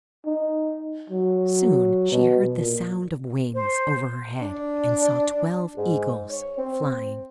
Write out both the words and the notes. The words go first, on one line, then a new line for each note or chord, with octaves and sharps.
Soon she heard the sound of wings over her head, and saw twelve eagles flying.
D#4
F#3
B2
A#2
C5
D4
G#2
C#5
C4